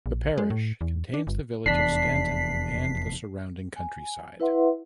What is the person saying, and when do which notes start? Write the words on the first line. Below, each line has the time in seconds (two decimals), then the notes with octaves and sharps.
The parish contains the village of Stanton and the surrounding countryside.
0.06 A#1
0.38 G#3
0.50 A2
0.81 E2
1.14 D4
1.27 G1
1.66 F1 E2 D4 B6 C7
3.76 G#5
4.40 E4 B4 E5 F#5 C6